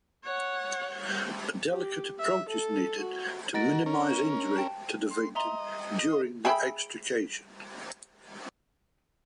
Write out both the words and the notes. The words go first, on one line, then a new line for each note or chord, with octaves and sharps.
A delicate approach is needed to minimize injury to the victim during the extrication.
C#5 F#5
G4
E5
A4
F#4
F#4 A#4 D#5 A6 D7
C#4 A#4
G5 A5
C6
D#5 E5 A#5 C6
G#4 E5 G5 B5